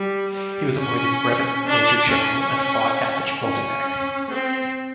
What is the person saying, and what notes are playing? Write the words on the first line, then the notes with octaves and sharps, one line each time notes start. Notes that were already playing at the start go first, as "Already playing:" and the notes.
He was appointed brevet major general and fought at the Chapultepec.
Already playing: G3
G3
C#4
D4
C#4
C#4
C4